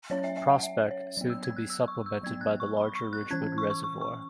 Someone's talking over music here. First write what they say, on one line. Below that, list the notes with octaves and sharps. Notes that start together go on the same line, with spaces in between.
Prospect, soon to be supplemented by the larger Ridgewood Reservoir.
F#3 C#4 C#5
E5
E5
F#5
E5
C#5
F#3 B3
E6
G#6
F#6
E6
C#6
E6
F#3 B3 G#6
F#6
C#6
B5
C#6
F#6
E3 C#4 G#6
C#6
C#6
C#6
C#6